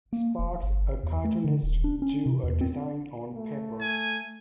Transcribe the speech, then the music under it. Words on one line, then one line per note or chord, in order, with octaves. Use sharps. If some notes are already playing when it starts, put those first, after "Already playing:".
Sparks, a cartoonist, drew a design on paper.
A#3
F1
G1
E2
A3
D3
D#1
D4
C#4
C3
E2
C4
A3
G#5